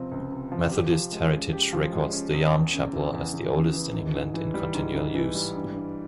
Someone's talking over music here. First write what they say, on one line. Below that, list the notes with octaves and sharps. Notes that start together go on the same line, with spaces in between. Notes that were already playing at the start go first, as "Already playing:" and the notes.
"Methodist Heritage" records the Yarm chapel as the oldest in England in continual use.
Already playing: C#2 C3 F3 C4
C#2
C3
F3
G4
F3
G#3
C#4
G4
F3
G#3
C#4
E2
E2
C#3
E3
E2
E2
C#3
E3
G#2
G#2
E3
G3
G#2
G#2
E3
G3
G2
G2